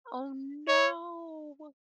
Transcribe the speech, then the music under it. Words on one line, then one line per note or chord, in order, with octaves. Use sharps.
Oh, no.
C#5